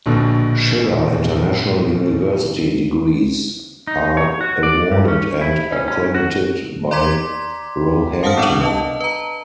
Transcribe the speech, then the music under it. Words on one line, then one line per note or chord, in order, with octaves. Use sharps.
Schiller International University degrees are awarded and accredited by Roehampton.
A#1 B2 D3
D#4
C#5
F#4
D5
G2
C#4
E4
C#4
C#4
F#4
D5 A#5 C6 D6 G#6 B6
A#4 F5 F#5 A5 D#6 F6
B3 C4 D4 A4 D5
B4 D#5 A5
B4 A#5